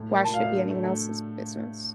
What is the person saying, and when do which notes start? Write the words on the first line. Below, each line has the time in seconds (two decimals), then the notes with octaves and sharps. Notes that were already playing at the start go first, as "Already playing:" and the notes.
why should it be anyone else's business?
Already playing: A2
0.09 A#3
0.24 A2 A5
0.34 F5
0.39 A2 E5
0.55 D3
0.70 A3
0.83 A3